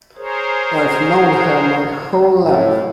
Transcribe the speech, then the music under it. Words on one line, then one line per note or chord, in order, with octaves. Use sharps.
I've known her my whole life.
G#4 A#4 C5 C#5
A2